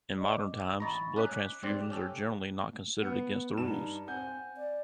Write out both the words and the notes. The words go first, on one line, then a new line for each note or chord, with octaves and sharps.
In modern times, blood transfusions are generally not considered against the rules.
D5 D#5
D6
A1 D#4 A#5 B5 C#6 A6
C#4 D#4 D6 F#6 B6
G2 C4 D5
C#4 G4 A4
B3
G2 D#4 E7
C4 F#5 G#5 G6
D5